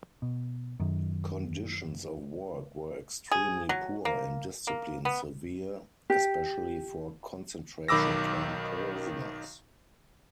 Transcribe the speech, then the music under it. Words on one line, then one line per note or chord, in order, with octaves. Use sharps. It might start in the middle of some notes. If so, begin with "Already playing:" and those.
Conditions of work were extremely poor, and discipline severe, especially for concentration camp prisoners.
B2
F#2 D#3
G#4
F#3
A#3
A#3
B3
G4
B1 D#3 B5 D6 E6 A#6